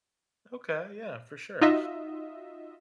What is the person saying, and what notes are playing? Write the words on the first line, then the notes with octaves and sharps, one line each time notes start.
Okay, yeah, for sure.
D#4 F4 F#4 D#5 E5